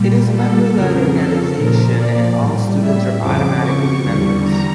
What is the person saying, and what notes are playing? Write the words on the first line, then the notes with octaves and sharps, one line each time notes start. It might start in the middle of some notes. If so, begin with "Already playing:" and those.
It is a member-led organisation and all students are automatically members.
Already playing: A#2 G3
A4
F2 C#3 F3 A#4
A4
A#2 F3 A#4
D5
A2 G3
E5
F2 C#3 F3 D6
C#6
E2 D3 G3
A#5